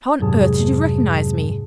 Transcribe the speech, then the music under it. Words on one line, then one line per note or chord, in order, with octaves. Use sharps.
How on earth did you recognise me?'
F2 G#2 C3 F#3 G#4 A5